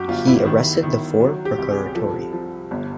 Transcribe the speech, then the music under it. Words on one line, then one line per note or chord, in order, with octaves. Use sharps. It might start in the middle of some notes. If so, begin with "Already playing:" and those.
He arrested the four Procuratori.
Already playing: F#2 F#4 G4
G1 F4
E4
D#3
D#3
F#3 F#4
G4
C2
G#4
F3 A4
F3
G1